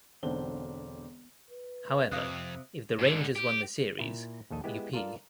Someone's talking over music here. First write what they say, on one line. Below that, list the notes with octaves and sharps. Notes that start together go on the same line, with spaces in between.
However, if the Rangers won the series, Youppi!
E1 B1 D3 C4 D4 G7
B4
F2 C3 F5 D#6 F#6
G#2 D3
G4
A#2 E4
A#1 D#2 A4 D#5 A5
G#3 B3 E4 G4
F4 A4 A#4 D5 F5